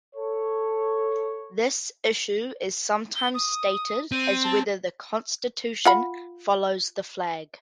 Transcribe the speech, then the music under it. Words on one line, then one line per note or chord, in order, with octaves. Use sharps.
This issue is sometimes stated as whether the Constitution follows the flag.
A4 C#5
G7
D#6
C4 D#7
A5
F4 F#5 B5